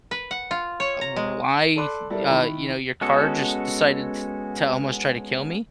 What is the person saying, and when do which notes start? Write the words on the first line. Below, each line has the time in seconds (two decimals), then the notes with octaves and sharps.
uh, why, uh, you know, your car just decided t to almost try to kill me?"
0.11 B4
0.31 F#5
0.51 F4
0.80 C#5
1.01 A#5
1.16 G#3
1.76 A4 D5 B5 C6 D6 F#6
2.10 G3 E4 A4 A#4 D5
2.30 D#3 E4 B5
3.01 G#3 B3 C#4 F#4 A4